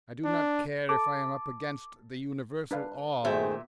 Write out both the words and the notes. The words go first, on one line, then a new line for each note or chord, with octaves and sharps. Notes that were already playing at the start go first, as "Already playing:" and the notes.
I do not care if I am up against the universal All.
D4
A4 D6
D4 B4 F5
A#2 D#3 A3 B3 F#4 G#4 C5 E5